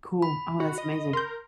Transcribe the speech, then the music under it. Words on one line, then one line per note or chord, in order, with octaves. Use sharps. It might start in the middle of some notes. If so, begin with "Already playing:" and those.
Cool. Oh, that's amazing.
B5
F#4
D#5
A#4 C6 G6